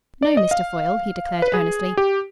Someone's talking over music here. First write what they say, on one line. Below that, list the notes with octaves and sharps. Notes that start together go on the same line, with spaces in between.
"No, Mr. Foyle," he declared earnestly.
D5
D#5
F5
B4
G#4
G4